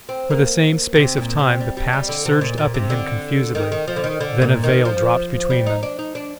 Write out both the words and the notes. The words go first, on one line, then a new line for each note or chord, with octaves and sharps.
For the same space of time the past surged up in him confusedly; then a veil dropped between them.
C4
A#3
C3
A#2
C3
G3
G3
G3
D3
C3
A#2
A#2
C3
D3
D#3
D#3
F3
D3
D#3
D3
A#2
D#3
F3
G3
D#4
D4
D#4
D4